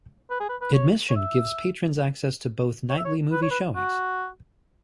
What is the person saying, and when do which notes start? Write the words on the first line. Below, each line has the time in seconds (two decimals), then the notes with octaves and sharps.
Admission gives patrons access to both nightly movie showings.
0.30 B4
0.40 G#4
0.49 B4
0.61 B4
0.74 C#5
1.10 C#5
1.16 E5
2.90 C#5
2.98 E5
3.05 C#5
3.32 B4
3.42 C#5
3.50 B4
3.76 F#4